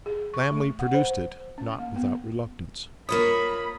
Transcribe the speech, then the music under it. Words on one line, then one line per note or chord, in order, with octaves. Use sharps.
Lammle produced it, not without reluctance.
G#4
C#6
A3
F#5
C5
C#4
A#3
B3
A#3 F4 C#5 B5 D#6